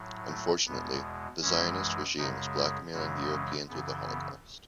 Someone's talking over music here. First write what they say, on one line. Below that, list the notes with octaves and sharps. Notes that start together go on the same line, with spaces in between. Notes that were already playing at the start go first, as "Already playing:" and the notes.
Unfortunately, the Zionist regime is blackmailing the Europeans with the Holocaust.
Already playing: A2 F#3
A3
E2 B2 G#3 B3
F#2 E3 G#3 C#4
F#2 C#3 G#3 D#4
E4
F#2 C#3 E3 G#3 F#4
C#4
F#2 C#3 E3 B3
B3